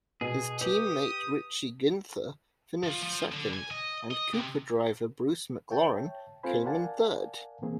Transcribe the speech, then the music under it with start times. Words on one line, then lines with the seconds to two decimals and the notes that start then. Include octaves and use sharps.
His teammate Richie Ginther finished second and Cooper driver Bruce McLaren came in third.
0.21 B2 G#4
0.61 G4 B4 D#6
2.84 F3
3.03 F3
3.32 D3
3.54 G#5
3.71 D#5
4.11 D#5
4.34 C3
5.70 C#5 E5 G5 A5
6.43 C4 F4 A4 C5 G#5 B5
6.65 A#4 D5 F5 F#5 G#5 A5
7.62 A#2 E3 A#3 C4 G#4